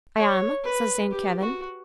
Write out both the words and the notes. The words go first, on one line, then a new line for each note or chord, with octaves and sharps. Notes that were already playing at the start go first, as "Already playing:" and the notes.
"I am," says Saint Kavin.
C#5
B4
G4
F#4